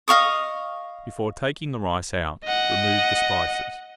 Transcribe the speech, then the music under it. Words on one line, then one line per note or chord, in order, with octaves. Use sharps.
Before taking the rice out, remove the spices.
D#5 F5 C#6 D#6
D#5 F#5